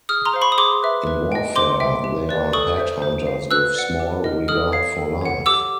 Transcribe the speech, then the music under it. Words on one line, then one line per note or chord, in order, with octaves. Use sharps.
In warfare they are headhunters with small regard for life.
G#4 D#6 F6
A#5 C6
C5 F5
B5 C#6
D#6
G#4 C6 D6
B4 E5
B4
D#5 G5
C5 C6 D6
E5 G5
G4
B4 D5
A4 C#6 D#6
C5 E5
C5
F5
B4 E6 F#6
D5 F#5
G4
A#4 D#5
A4 D#6 F6
C#5 F5
A4
C#5 F#5
G4 D6 E6